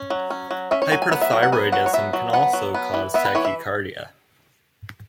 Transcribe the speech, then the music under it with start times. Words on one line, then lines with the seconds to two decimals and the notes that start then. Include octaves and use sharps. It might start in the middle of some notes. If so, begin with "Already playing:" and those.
Hyperthyroidism can also cause tachycardia.
Already playing: C#4
0.10 F#3
0.30 C#4
0.51 F#3
0.71 C#4 E5
0.82 C#5
0.92 F#3 G#5
1.02 G#5
1.11 B3 F#5
1.21 E5
1.33 F#3
1.43 F#5
1.52 B3 G#5
1.72 F#3 F#5
1.86 C#5
1.93 B3 E5
2.13 F#3
2.33 B3 F#5
2.53 F#3
2.74 B3
2.94 E3
3.14 B3 E5
3.25 B4
3.35 E3 C#5
3.45 E5